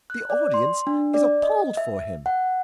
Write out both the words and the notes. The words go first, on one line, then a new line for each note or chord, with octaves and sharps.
The audience is appalled for him.
F#6
D5
C6
D4
D5
D#5
E5
F#5